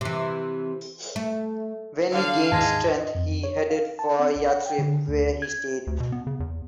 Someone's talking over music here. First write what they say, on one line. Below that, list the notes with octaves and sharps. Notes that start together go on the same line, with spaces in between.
When he gained strength, he headed for Yathrib, where he stayed.
C3 E3
A3
D3 F5
D#2 G#2 G#3 A5
D#5
F2
C#5
F5
A5
C4
A#1
F#5
G5
D3
D2
G#6
D2
B2
B3
C#3
E2